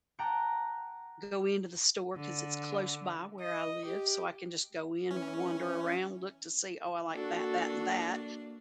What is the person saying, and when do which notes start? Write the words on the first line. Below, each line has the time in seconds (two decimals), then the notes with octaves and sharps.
go into the store 'cause it's close by where I live. So I can just go in, wander around, look to see, "Oh, I like that, that, and that."
0.19 F#5 G5 A5 A#5 D6
2.16 D3
3.40 D#5
3.85 G4
5.11 E3 C#4
7.15 A#3 D4 F#4 A4